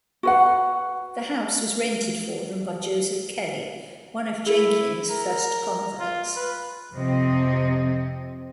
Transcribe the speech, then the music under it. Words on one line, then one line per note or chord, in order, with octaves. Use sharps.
The house was rented for them by Joseph Kelly, one of Jenkins' first converts.
F#4 B4 F#5
E4 G#4
A#4
F4
B4
F2 C3 F3 C4 D#5